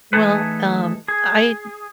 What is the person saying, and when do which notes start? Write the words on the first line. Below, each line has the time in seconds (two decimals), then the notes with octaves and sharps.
Well, um, I
0.13 E3 A3 D#4 G#4 A4 B4
1.08 G#4